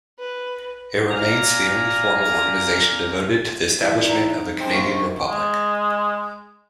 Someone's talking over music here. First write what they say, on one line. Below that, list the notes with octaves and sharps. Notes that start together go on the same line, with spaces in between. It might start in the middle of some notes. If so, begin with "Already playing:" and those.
It remains the only formal organization devoted to the establishment of a Canadian republic.
B4
D5 F5 G#5 A#5
E2 E4 B4
D#4 A#5
G#2 C4
A#3 C#6
G#3